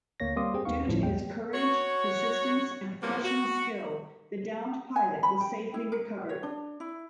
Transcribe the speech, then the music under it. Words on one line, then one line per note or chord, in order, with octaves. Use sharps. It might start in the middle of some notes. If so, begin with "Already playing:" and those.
Due to his courage, persistence, and professional skill the downed pilot was safely recovered.
D2 A#3 C#5 A#6
G3 A#3 C4 C6 D6 D#6
G4 G#4 C5 G5
D#2 B3 D#4 F5 C#6
G1 A2 F3 G3
E2 F#3 G#3 G5
F#4 C#5
A2 C3 F3 F#3 A#3 B4
F#4
G#5
B5
G5
E4
A#4
C#5
D4
E4